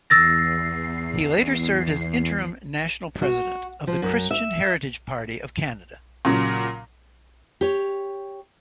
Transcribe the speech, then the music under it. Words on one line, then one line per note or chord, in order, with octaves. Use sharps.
He later served as interim national president of the Christian Heritage Party of Canada.
E2 E6 A6 A#6 C7
F#4
F3
F#2
E5
A#2 C#3 F#3
G4 C#5